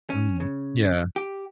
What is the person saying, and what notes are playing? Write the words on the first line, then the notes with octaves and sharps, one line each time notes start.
Mhm, yeah.
C#4
C#3
G4